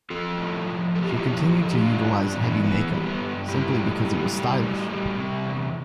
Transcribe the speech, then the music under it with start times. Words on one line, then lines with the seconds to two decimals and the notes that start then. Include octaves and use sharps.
She continued to utilize heavy make-up, simply because it was stylish.
0.10 F3 F4 A4
0.38 A2
0.67 F3
0.95 A2 A4
1.02 G4
1.09 F4
1.17 E4 G4
1.23 F3
1.51 F3
1.62 A4
1.71 G4
1.79 G2 D4 F4
2.07 G2
2.22 D4
2.33 E3 C4
2.43 B3 D4
2.64 E3 B3
2.92 G3
3.06 B3
3.20 G2
3.48 G3 E4 G4
3.77 A2
4.05 G3
4.33 G3
4.61 A2
4.90 G3
5.18 C3
5.46 E2